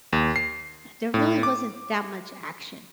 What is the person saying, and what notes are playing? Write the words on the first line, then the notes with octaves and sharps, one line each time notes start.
there really wasn't that much action.
D#2
C7
A2
D6